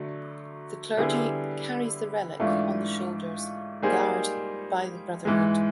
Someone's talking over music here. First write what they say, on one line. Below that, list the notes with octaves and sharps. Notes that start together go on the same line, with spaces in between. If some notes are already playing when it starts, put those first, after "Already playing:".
The clergy carries the relic on the shoulders, guarde by the brotherhood.
Already playing: D3 F#3 A3
D3 G3 B3 E4 G#4
G#2 E3 A3 D4 F4
G3 A#3 D#4 G#4 C5
G#2 E3 G#3